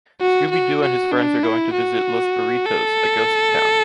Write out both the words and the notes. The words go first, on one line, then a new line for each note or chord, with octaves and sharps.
Scooby-Doo and his friends are going to visit Los Burritos, a ghost town.
F#4
F#4
F#4
D4
E4
F#4
A4